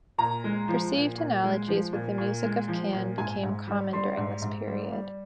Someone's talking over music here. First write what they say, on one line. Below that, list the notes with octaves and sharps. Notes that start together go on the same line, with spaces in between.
Perceived analogies with the music of Can became common during this period.
A#2 A#5
G#3
F3
A#2
A#2
G#3
F3
A#2
A#2
G#3
F3
A#2
G#2 G#5
G#2
G3
G3 C6
G#2
G#2
G3
G3